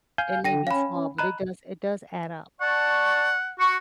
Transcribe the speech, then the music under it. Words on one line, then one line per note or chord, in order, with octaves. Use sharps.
It may be small, but it does it does add up.
F5 G#5 G6
D3 G5 A#6 D#7
C#4 F5 B5
D#5 A#5 B5 F#6
D5 F#5 A5 C#6
F#4 C#6